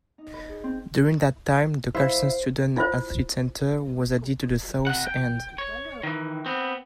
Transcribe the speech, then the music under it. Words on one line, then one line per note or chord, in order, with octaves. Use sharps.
During that time the Carson Student Athlete Center was added to the south end.
D#4
B4
G#4
C4
E4 C5 E5 F5
E4 F4 C5
C3 F#5
G5
C#5
D#3 E3
B3 C4